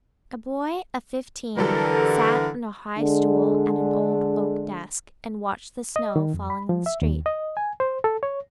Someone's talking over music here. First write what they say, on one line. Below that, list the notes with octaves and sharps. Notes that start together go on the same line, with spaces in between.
A boy of fifteen sat on a high stool at an old oak desk, and watched the snow falling in the street.
D3 E3 F#3 G3 A4 A#4
D3 G#3
D#5
D#3
F2
B5
F3
E5
D#2
D#5
G#5
C5
A4
C#5